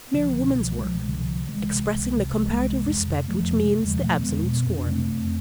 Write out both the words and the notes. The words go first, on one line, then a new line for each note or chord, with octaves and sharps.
"Mere woman's work Expressing the comparative respect Which means the absolute scorn."
C2 D3 F3
B2
C2 F3
G#3
B2 F3
G#3
C2
D3 F3
C3
C2 E3 G#3
C3
C2
C3
C2 E3 G#3
C3
F2
C3
F2 F3 A3
C3
E2
G#3
D3 F3
B2
F3 A3
E2 G#3 B3
B2
F2 C4
D4
C3 A3 C4
F2